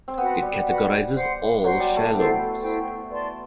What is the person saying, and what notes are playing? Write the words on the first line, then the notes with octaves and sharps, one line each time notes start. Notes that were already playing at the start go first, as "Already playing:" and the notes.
It categorizes all shaloms.
C4
B3 F#4 B4 F#5
G3
F#4 B4 F#5
C5 F#5 C6
F#3 C5 F#5 C6
G3
A3
B3 E4 A4 C5 G5
E4 A4 C5 G5
B4 D5 A5 C6